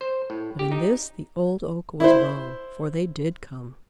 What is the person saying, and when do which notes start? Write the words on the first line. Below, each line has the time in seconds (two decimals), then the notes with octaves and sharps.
But in this the Old Oak was wrong, for they did come.
0.01 C5
0.30 A2
0.59 G4
0.72 D#4
2.00 E4 C5